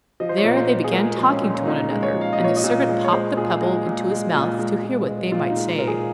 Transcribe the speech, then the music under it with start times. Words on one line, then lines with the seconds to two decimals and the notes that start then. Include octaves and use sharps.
There they began talking to one another, and the servant popped the pebble into his mouth to hear what they might say.
0.20 F3 D#5
0.29 C5
0.38 C#5
0.44 A#2
0.57 C5
0.69 A#2
0.84 G#4
0.93 G#3 A#4
1.17 F3
1.30 C#4
1.41 A#2
1.54 C#4
1.65 A#2 D#4
1.90 G#3
2.03 C#5
2.15 F3
2.21 F5
2.33 D#5
2.39 A#2 C#5
2.56 D#5
2.64 A#2
2.88 G#3
3.05 C#5
3.12 G#3 C5
3.37 A#2 G#4
3.61 G#3 G#4
3.86 A#2
4.11 G#3
4.34 A#2
4.58 G#3
4.83 A#2
5.07 G#3
5.32 A#2 F4
5.50 D#4
5.56 G#3
5.69 F4
5.78 A#2 A#4
5.88 G#4